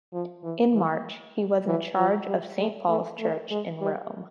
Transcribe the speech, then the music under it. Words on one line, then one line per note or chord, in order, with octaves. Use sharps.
In March, he was in charge of Saint Paul's Church in Rome.
F3
E3
E3
E3
F3
G3
G#3
A3
A3
G#3
G3